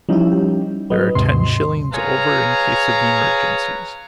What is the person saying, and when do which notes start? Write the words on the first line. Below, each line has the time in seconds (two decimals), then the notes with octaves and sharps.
There are ten shillings over in case of emergencies.
0.09 F3 G3 C#4 D#4 E4
0.32 G4
0.90 F#3 B4 D#5
1.15 D#2 G#2 C3 C6
1.93 G#4 B4 C#5 F5 A#5